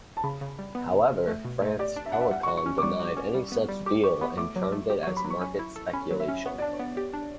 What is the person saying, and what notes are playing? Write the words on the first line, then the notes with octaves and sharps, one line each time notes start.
However, France Telecom denied any such deal and termed it as market speculation.
A5
C#3 B5
C#3
G3
B3
C#3
C#3
A3
B2
A3
G4 D5
D4
E5
D4 F#5
E5
G3 F#5
F#4 C#6
C#6
C#4
D6
G3 C#6
F#4
C#4
G3
B3
G3
G4 D6
G4 C#6
B3 B5
A3 D6
F#3
D6
A3
G4 D6
F#3 C#6
B5
F#3
C#6
C#4
E4
A4
C#4 B5
F#3
E5
C#4
B3 C#5
D4 D5
C#5
B3
G4
D4